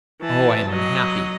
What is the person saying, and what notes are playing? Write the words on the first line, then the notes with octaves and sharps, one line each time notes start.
Oh, I am unhappy!
E3 A5
F#3 D#5